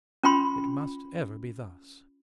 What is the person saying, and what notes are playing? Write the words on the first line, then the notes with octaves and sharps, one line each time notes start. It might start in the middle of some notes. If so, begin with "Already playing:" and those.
It must ever be thus.
C#4 F4 G5 B5 C6